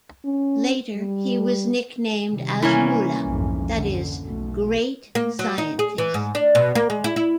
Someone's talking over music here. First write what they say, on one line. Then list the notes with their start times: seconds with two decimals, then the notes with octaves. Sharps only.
Later he was nicknamed as Mulla, that is, great scientist.
0.24 C#4
0.96 G3
2.30 C3 D#3 G3
2.62 E3 A#3 C#4
3.25 B1 F2 G#2
3.74 F2 D3
4.23 B1 B2 A3
5.15 A#3
5.39 F#3
5.58 D#4
5.79 G#4
5.98 E3
6.14 G#2
6.35 D4
6.55 B2
6.75 A#3
6.90 G#3
7.04 E4
7.16 E4